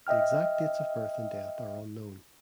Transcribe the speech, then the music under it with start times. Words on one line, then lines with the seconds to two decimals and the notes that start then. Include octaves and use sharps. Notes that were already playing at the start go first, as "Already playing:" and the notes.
The exact dates of birth and death are unknown.
0.07 D#5 E5 G5 F6